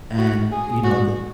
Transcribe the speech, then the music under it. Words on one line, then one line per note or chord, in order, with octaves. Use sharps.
And, you know, the
F#4
G#4
F#4